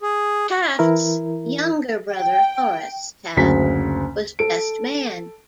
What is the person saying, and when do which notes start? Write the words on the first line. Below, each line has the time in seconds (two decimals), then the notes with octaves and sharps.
Taft's younger brother Horace Taft was best man.
0.02 G#4
0.79 E3 E4 A#4
2.12 G5
3.37 F#1 D2 C#3 B6
4.39 A4 D7